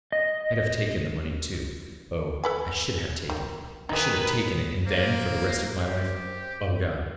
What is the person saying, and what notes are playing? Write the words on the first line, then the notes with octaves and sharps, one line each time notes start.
I'd have taken the money, too, oh, I should have taken it; I should have taken it, and then, for the rest of my life ... oh, God!
D#5
A4 B4 G#5
D#3
D#3 D#4 G#4 B4
A#3 C5
G4